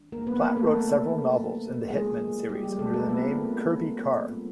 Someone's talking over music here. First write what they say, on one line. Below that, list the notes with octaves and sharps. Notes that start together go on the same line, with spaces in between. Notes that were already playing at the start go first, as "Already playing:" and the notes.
Platt wrote several novels in the "Hitman" series under the name Kirby Carr.
Already playing: D#3 G3 D4
A#3 A#4
B3 B4
A#3 A#4
A3 A4
C#3 F#3 A#3 C#4
F#3 G#3 A#3 C#4 F4 G#4
G3 G4
G3 G4
A3 A4
A#3 A#4
G3 B3 C4 F4 B4
G3 C4 F4